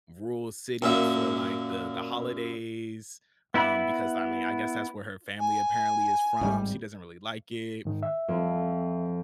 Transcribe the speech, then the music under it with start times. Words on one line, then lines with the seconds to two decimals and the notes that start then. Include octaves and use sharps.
rural city for, like, the the holidays, um, because, I mean, I guess that's where her family apparently is from. She doesn't really like it,
0.82 F#2 A#2 E5
3.54 B3 E4 E5 B5
5.38 G#5
6.41 G#1 C#3 G3
7.85 G#2 D#3
8.03 E5
8.28 F2 C4